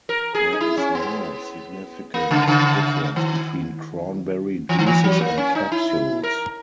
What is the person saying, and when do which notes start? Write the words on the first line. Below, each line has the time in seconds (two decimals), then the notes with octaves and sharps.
There is no significant difference between cranberry juices and capsules.
0.09 A#4
0.35 G#4
0.53 D#4
0.61 E4
0.78 C#4
0.95 B3
2.14 A#3
2.31 C#3
2.48 C#3
3.16 D#3
4.69 E3
4.79 D#3
4.87 E3
5.04 F#3
5.21 A#3
5.38 C#4
5.55 D#4
5.72 E4
6.23 A#4